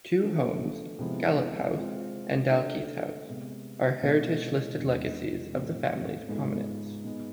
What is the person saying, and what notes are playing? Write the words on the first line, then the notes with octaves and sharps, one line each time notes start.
Two homes, Gallop House and Dalkeith House, are heritage-listed legacies of the family's prominence.
D3 F3 A3
C3 F3 G#3 B3 E4
G#3 C4 F4
D3 A3 D4 A4 D5
C3 G#3 B3
B2 G#3 C4 E4
E2 C3 G#3 D4
A2 F3 A3 C4
G#2 G#3 B3 F4 G#4
G#2 G#3 B3